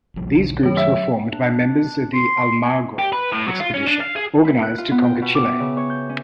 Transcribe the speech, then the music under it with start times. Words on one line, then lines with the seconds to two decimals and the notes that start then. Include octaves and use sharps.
These groups were formed by members of the Almagro expedition, organized to conquer Chile.
0.16 A#1 F3 G3
0.32 B1 D3
0.63 D#3 F#3 A3 C#5
0.77 E5
1.32 D4
2.13 C6
2.65 G#5
2.99 G4
3.13 B4
3.32 A2
3.48 F#3
3.60 F4
3.74 C#4
3.87 D4
4.00 F5
4.16 G#4
4.45 E4
4.62 F#6
4.78 F4
4.91 B3
5.04 G5
5.22 B2
5.35 D6
5.49 E5
5.60 C#3
5.77 C#5
5.90 G6
6.09 C#4